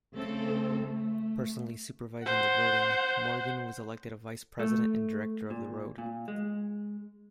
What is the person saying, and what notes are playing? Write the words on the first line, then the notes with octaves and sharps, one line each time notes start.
Personally supervising the voting, Morgan was elected a vice-president and director of the road.
C#3 A3 C4 A4
A3
C5 F#5
A3
A#2
A#2
G#3